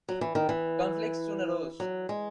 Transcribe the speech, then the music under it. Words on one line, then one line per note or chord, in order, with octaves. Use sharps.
Conflicts soon arose.
F#3
E3
D#3
E3
F#3
G#3